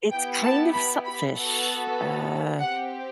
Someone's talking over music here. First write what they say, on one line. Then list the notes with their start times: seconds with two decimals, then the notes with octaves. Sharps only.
it's kind of selfish, uh
0.11 B3 E4 G4 G5
0.43 A5
0.73 B5
1.05 B5
1.36 B3 F#4 A4
2.60 C4 G4 F#5